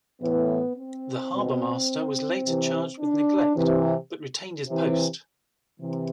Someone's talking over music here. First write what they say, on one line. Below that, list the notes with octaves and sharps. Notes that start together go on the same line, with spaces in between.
The harbormaster was later charged with neglect, but retained his post.
A2 E3 B3
C4
B2
C3 E3
D4
C3 E3
C3 E3
C3 E3